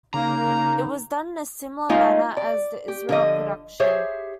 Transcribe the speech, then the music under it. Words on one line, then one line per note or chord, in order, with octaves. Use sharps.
It was done in a similar manner as the Israel production.
C#3 A#3 D#4 A#5
G#3 A#3 D#4 F4 D#5 F5
D5
G4
D3 F3 D#5
G4 G#4 C5 C#5 E5